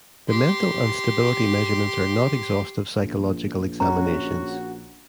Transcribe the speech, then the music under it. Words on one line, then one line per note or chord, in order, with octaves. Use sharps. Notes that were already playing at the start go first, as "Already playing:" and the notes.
The Mental and Stability measurements are not exhaustive psychological examinations.
G4 C6
A#1
C#4 F#4 A#5